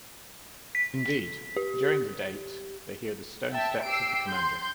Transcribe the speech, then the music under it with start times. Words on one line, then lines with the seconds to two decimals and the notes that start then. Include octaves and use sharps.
Indeed, during the date, they hear the stone steps of the Commander.
0.75 B6
1.57 G4
3.51 E5 G5 A5
3.84 G4 E6 C7 D7
4.27 C6 G6